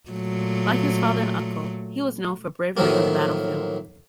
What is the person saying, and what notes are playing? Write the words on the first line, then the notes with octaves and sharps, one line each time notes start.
Like his father and uncle, he was known for bravery on the battlefield.
A#2 F#3 A3
A2 D#3 F3 F#3 A#3